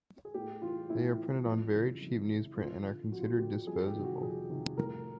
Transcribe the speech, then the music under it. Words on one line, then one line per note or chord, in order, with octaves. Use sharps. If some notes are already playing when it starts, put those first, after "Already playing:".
They are printed on very cheap newsprint and are considered disposable.
G#4
A2 G4
E3 F4
A2 E4
E3
F2
C#3 E3
F2
C#3 E3
F2 F4
D3
F2 F#4
F4
F#4
D3 G4
F2 G#4
G4
C3 D#3
F#4
F2 G#4
C3 D#3
A2 A#4